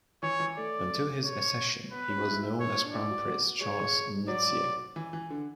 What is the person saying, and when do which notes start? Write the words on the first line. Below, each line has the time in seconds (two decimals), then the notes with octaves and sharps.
Until his accession, he was known as Crown Prince Charles Ndizeye.
0.23 E3 C#5
0.40 E3
0.57 A3 D5
1.25 C#5
1.92 B3 B4
2.09 C#4
2.18 F#4
2.26 E4
2.43 E4
2.60 C#5
2.84 D4
2.93 E4 D5
3.10 F#4
3.27 F#4
3.61 G#3 C#5
4.28 F#3 D5
4.96 E3
5.13 E3
5.30 D3